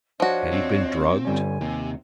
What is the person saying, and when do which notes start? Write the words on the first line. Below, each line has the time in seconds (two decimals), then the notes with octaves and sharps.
Had he been drugged?
0.20 F3 D4 F#4 C#5 D#5
0.52 C4
1.25 G1 G3 C#4 G#5
1.61 D#2 C3